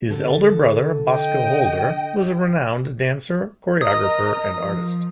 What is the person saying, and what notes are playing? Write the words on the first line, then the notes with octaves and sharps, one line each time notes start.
His elder brother Boscoe Holder was a renowned dancer, choreographer, and artist.
D3 A4
D#5 G5
A#4 D#5 D#6
F3